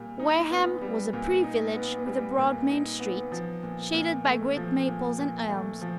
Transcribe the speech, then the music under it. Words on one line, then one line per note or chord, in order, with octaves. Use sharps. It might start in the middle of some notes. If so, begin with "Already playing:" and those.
Wareham was a pretty village with a broad main street shaded by great maples and elms.
Already playing: A#2 G3
D#4
B3
G3
A#2
D#4
B3
G3
A#2
D#4
B3
F3
A#2
A#2
A3
F3
A#2
A#2
A3
F3